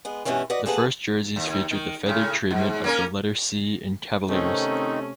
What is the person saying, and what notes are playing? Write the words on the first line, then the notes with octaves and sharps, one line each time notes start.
The first jerseys featured the feathered treatment of the letter C in Cavaliers.
G#3 B3
G2 B2 E3 C#4 F#4
F#4 B4 D5 D#5
D#2 G#4 A4 B4 F#5
D#2
D#3
A2 C#3
G#2
A#3 C#4 A#4
C3 D#3 A3 C4 C#4 D#4